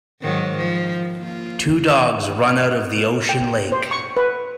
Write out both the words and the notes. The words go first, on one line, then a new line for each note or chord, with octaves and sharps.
Two dogs run out of the ocean lake.
G#2 D#3 F#3
F3
A#3 F4
G5
C5
C#6
B4